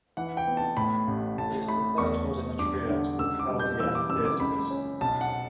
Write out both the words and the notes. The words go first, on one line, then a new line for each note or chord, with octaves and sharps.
He is the third god in a triad with Khaldi and Theispas.
E3 F#5
G5
B3
A5
A2 B5
A1
A2 A5
A3 B5
E2 C#6
E2
G2 D6
D3
C#2 E6
D6
G3
G6
E3 E6
D6
F#1 E6
D6
C#2 B5
C#4
B1 A5
F#5